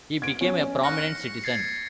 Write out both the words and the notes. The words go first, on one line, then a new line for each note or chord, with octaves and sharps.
He became a prominent citizen.
G#6 D7
C#4
C#6 F6 F#6 A#6 C#7
G#6 A6 C7